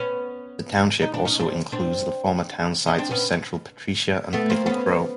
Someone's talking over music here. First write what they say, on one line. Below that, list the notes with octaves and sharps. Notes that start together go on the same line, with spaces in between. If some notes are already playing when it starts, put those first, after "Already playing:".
The township also includes the former townsites of Central Patricia and Pickle Crow.
Already playing: B3 C#4
D#4
D4
C#4 D#4
C4 D4
C4 D4
C#4 D#4
C4 D4
B3 C#4
A3 B3
A#3 C4
B3 C#4